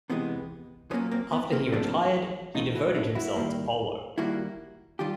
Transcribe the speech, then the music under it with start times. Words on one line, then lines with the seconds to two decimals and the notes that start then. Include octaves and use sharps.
After he retired, he devoted himself to polo.
0.10 C3 E3 G#3 B3
0.91 A#2 F#3 A#3 B3 C#4
1.11 A#3 C4
1.32 B3
1.52 A#3 C4
1.72 A2 F3 A#3 C4 D4
2.55 A2 E3 A3 D#4 F4
2.75 E4 F#4
2.95 D4 E4
3.15 E4 F#4
3.36 D#3 G3 A#3
4.18 D#3 G3 A#3 E4 F#4
4.99 D#3 G3 F4 G4